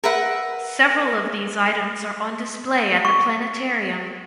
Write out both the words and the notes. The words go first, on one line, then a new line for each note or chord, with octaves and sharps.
Several of these items are on display at the planetarium.
A#4 B4 E5 F#5
C#6